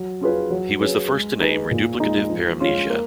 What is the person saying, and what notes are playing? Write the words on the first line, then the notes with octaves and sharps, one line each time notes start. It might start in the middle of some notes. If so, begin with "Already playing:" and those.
He was the first to name reduplicative paramnesia.
Already playing: F#3
C#4 F4 G#4 B4
F#3
C#4 G#4 B4
G#3
D#4 G#4 B4
A#2
G#3 D#4
F3
G#3 C#4 F4
A#3